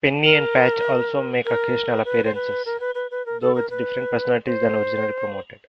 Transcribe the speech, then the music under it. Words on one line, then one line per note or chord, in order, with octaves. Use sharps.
Penny and Patch also make occasional appearances, though with different personalities than originally promoted.
A#4
A#4
B4
C5
B4
A#4
B4
B4
B4
A#4
A4
A#4
B4
C5